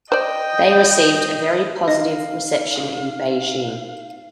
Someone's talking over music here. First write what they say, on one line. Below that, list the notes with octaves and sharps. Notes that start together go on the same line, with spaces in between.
They received a very positive reception in Beijing.
C5 D5 D#5 G5
D#4 D#5 F5